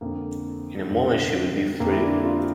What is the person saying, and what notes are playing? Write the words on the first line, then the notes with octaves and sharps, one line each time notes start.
In a moment she would be free.
F2 D3 A#3
F2 D3
F2 D3 A#3
E4
D4
F4